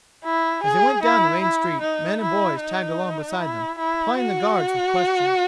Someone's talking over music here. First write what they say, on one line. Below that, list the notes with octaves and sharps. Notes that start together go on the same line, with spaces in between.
As they went down the main street, men and boys tagged along beside them, plying the guards with questions.
E4
G#4
E4
E4
D#4
E4
D#4
E4
E4
F#4